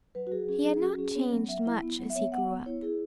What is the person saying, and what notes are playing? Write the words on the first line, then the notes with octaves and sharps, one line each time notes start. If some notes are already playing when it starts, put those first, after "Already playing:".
He had not changed much as he grew up.
F#3 B4
F#4
F#3 G#4
C#4 G#4
F#3 G#4
C#4 F#4
C#4 G#4
B3 C#5
F#3
F#3 E5
E4
B3
F#3
E5
B3 C#5
B3 F#5
B3
E4 C#5
E4 G#4